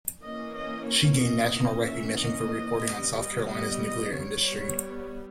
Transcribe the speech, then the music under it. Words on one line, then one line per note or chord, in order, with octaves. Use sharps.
She gained national recognition for reporting on South Carolina's nuclear industry.
E3 A#3 C#4 D#5
D#5
C#5
D#5
E3 A#3 C#4
E5
D#5
G3 B3
D#5
D#5
D#5
G3 B3 C#5